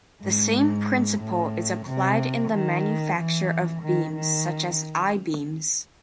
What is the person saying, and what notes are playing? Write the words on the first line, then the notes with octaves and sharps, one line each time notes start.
The same principle is applied in the manufacture of beams such as I-beams.
G#2
A2
C3
D#3
E3
D#3
D#3